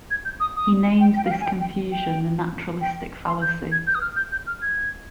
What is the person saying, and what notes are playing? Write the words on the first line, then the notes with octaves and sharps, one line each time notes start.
He named this confusion the naturalistic fallacy.
G#6
G6
D#6
D#6
G5
G5
F5
G5
G#5
G5
G5
G5
G5
C6
G6
G#6
G6
D#6
F6
G6
G6
F6
G#6